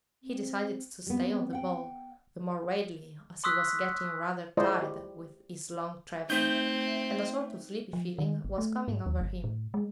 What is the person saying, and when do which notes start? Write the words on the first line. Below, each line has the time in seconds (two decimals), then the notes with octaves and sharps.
He decided to stay on the ball, the more readily as he was getting rather tired with his long traveling, and a sort of sleepy feeling was coming over him.
0.23 C4
1.07 G3 B3 C4
1.53 F#5 G5
3.44 C6 C#6 D#6 E6 F#6 B6
4.57 G#3 E4 F4 C5 D5 D#5
4.82 G4
6.30 A3 C4 D#4 G6
7.93 F3
8.18 D#3
8.45 G#1
8.58 A3
8.88 G#2
9.06 D#2
9.21 G1
9.44 A2
9.74 G#3